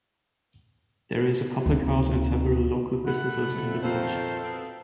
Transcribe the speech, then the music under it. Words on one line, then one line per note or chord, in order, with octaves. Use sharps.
There is a public house and several local businesses in the village.
D2 F3 A#3 C4 D#4
A3 F#5 B5
F2
D#3 A4 C5 F5
B2 B3 C4